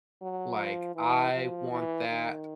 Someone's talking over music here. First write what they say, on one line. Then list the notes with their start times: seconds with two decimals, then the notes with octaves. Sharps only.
like, "I want that
0.21 F#3
0.58 F3
0.95 E3
1.32 F3
1.71 E3
2.08 D#3